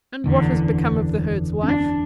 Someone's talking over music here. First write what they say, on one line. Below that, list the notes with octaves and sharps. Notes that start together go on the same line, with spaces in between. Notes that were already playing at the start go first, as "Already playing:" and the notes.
"And what has become of the herd's wife?"
F#1 E2 D3
C#4
D4